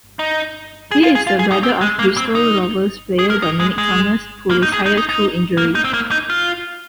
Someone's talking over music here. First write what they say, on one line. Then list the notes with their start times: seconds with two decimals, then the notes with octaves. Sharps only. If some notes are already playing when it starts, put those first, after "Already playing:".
He is the brother of Bristol Rovers player Dominic Thomas who retired through injury.
0.19 D#4
0.91 G#4
1.03 F4
1.15 G#4
1.27 F4
1.39 G#4
1.52 D#4
1.63 C4
1.81 G#3
1.99 A#3
2.17 C4
2.35 D#4
3.19 G#4
3.30 A#4
3.42 D#4
3.60 G#3
3.78 G#3
4.50 A#3
4.62 D#4
4.73 G#4
4.86 D#4
4.97 D#4
5.09 D#4
5.57 A#3
5.75 D#4
5.85 C4
5.93 A#3
6.11 D#4
6.30 F4